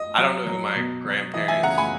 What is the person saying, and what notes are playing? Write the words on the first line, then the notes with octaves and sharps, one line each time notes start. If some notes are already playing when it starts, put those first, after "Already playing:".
I don't know who my grandparents'
Already playing: D#5
F#3
F#3
B2
F#3
E3 D#5
E5 G#5
C#3 F#5 A#5
G#5 B5